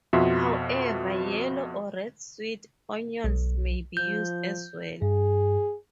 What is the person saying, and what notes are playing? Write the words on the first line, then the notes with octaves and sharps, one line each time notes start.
However, yellow or red sweet onions may be used as well.
F2 B2 F4 F#4 E5 C6
B1
F3 G6
G2 G#4